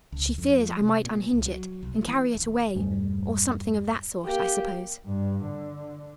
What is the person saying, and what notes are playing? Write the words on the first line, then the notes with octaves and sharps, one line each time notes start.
She feared I might unhinge it and carry it away, or something of that sort, I suppose.
C#2
F2
F3
C3
A#2
C2
F#3
B1
A3
E3
D#1
E1 G2 G3 A3
A#3 G4
G2
D3